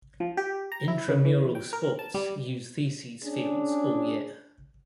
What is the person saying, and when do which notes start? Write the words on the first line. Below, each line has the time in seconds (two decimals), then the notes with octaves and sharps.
Intramural sports use theses fields all year.
0.20 F3
0.37 G4
0.72 A#5
0.88 E4
1.08 C#3
1.25 E3
1.55 G5
1.73 A#4
1.99 A5
2.14 G3
3.24 C#4 D4 G#4